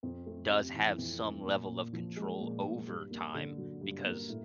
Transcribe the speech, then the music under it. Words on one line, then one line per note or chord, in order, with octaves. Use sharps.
does have some level of control over time because
F2
A3
C3
E3
F2
A3
A#2
A#2
F3
G#3
A#2
A#2
G2
A#3
D3
F#3
G2
A#3
A2